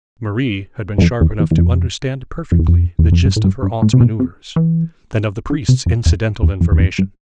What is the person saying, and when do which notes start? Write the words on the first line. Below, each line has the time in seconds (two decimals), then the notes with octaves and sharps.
But Marie had been sharp enough to understand perfectly the gist of her aunt's manoeuvres and of the priest's incidental information.
0.98 G2
1.02 F2
1.21 E2
1.40 E2
1.51 E2
1.58 F2
2.52 F2
2.59 E2
2.68 F2
2.99 E2
3.12 F2
3.25 G2
3.36 A2
3.44 G2
3.62 G2
3.82 A2
3.93 C3
4.01 B2
4.20 C3
4.56 E3
5.50 D3
5.69 C3
5.86 F2
6.06 E2
6.43 E2
6.61 F2
6.72 E2
6.80 F2
6.98 G2